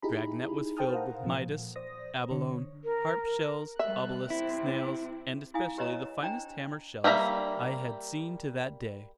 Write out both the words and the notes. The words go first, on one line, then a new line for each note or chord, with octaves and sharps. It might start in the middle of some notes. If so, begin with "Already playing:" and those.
Our dragnet was filled with Midas abalone, harp shells, obelisk snails, and especially the finest hammer shells I had seen to that day.
D#4 E4 G4 G#4 A#5 B5
A4 C5 G5 A5 D#6 F6
A#4 C5 F5 F#5 A#5
A#2 F3
C5 D5 D#6 A#6
D3 C#5
A#4
G3 A#4 E5 F#6
C3 C4 E4
E4 F5 G#5 D#6
G4 B4 C#5 D#5 A#5
D4 C5 G5 A#5
G3 A#3 E5 A#5